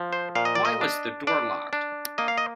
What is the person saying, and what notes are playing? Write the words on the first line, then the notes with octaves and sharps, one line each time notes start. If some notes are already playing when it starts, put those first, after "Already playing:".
Why was the door locked?
Already playing: F3
C5
A#2 F5
D#5
D5
D#5
D4
D4 D5
D4
A#3 D#5
F5
D#5